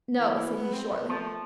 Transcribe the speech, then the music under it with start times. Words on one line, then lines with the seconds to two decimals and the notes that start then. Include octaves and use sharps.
"No," said he shortly.
0.19 E3
0.37 E3
0.55 B3
0.73 C4
0.91 B3
1.09 F3 A3